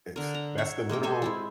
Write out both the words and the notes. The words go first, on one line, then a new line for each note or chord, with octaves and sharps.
It's that's the literal
D3 A#4
A#5
C#5 E5 F#5
G#3 A#3 D#5 G5
G4 A4 C5 G#5
G#3 C4 E4